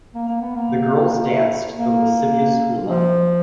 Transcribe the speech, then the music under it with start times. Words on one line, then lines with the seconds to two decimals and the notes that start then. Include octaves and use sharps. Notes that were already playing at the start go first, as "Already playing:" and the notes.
The girls danced the lascivious hula.
0.14 A#3
0.28 A#3
0.42 B3
0.56 A#3
1.79 A#3
2.88 F3